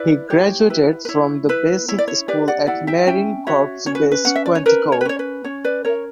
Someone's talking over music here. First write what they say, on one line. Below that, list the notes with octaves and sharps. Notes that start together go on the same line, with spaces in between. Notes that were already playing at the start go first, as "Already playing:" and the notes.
He graduated from The Basic School at Marine Corps Base Quantico.
Already playing: E4 B4 D5
G4 C#5
E4 B4
B4
E4 C#5
E4 B4
E4 C#5
D5
C#5
G4 B4 D5
D5 F#5
E4 D5 F#5
E5 G5
C#4 E5 G5
F#4 C#5 E5
C#4 C#5
B4
B4
C#4 F#5
E5
D5
C#5
A#4 B4
C#5
B4
C#4 C#5
B4
C#4 C#5
B4 D5
A#4 C#5